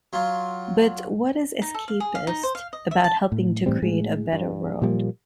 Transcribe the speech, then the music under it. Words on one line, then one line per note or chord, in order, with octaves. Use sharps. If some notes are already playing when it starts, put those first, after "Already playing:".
But what is 'escapist' about helping to create a better world?
F#3 F4
D#4
A4
F5
G#4
F5
D#4
C5
F5
D#5
E5
A5
A2
A2 E3 G3 C4
A2 G#3
G2
A#2 F3 G3 A#3